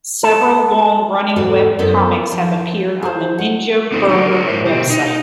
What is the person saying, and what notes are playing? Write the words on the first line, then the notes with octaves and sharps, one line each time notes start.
Several long running web comics have appeared on the Ninja Burger website.
A4
E2 G#2 F#4 A4 A5
F#2 B3 E4 A4 B4 C5
F3
G#4 C5
F#5
A#3 C4 D#4 F4 B4 C5
F#3 D4 C#5 D5 F#5
G#4 A#4
G#2 B2 E4 C5 E5
B2 G4
D#4